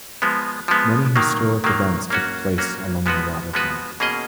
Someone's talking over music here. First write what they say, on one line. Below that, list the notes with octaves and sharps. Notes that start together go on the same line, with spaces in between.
Many historic events took place along the waterfront.
F3 G#3 B3
F3 G#3 B3
D#3 F#3 A#3
D#3 F#3 A#3
A#3 C#4 F#4
A#3 C#4 F#4
F3 G#3 B3 F#4 B4
F3 G#3 B3 F#4 B4
B2 A#3 C#4 G#4 D#5